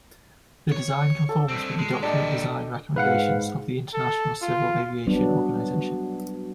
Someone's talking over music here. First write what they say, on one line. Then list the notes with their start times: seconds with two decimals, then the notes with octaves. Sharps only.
The design conforms with the document design recommendations of the International Civil Aviation Organization.
0.72 C#5
1.29 A4 D6
1.48 G2 C4
1.79 G#3
2.02 A#2 D4 G4 A4 D#5
2.96 G#2 B4 F5 F#5
3.94 A4
4.42 F4
5.07 F#3 G3 B3 D4